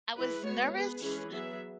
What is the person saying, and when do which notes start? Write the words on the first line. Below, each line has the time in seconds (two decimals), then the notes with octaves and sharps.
I was nervous
0.16 G#3 E4 B4
0.44 G#3 B3 F#4 C#5
0.73 B3 G#4 B4
1.02 E3 G#3 C#4 G#4 B4
1.30 F#3 B3 G#4 E5